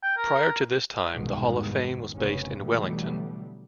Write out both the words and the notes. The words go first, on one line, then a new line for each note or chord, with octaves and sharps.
Prior to this time the Hall of Fame was based in Wellington.
G5
A#4
C2 F2 G#2 B2 D#3
F1 C#3 B3 C#4
B2 D3 E3 F#3 G3 A3